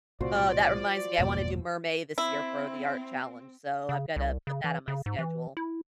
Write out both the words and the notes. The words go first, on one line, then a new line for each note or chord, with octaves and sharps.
Uh, that reminds me. I wanna do Mermay this year for the art challenge, so I've gotta put that on my schedule.
B1 A2 C3 F3 F#4 C5 D5
G1 E2 G#2 B2 F3 A#3 E6
C4 E4
C#3
C2
C#3
E3
C#3
G#2
E3
E4